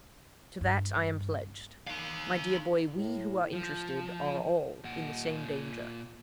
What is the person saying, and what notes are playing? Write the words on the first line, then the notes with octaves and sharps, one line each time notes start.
To that I am pledged; my dear boy, we who are interested are all in the same danger.
G2
D#4 F5
A2
F3
A#2 F#5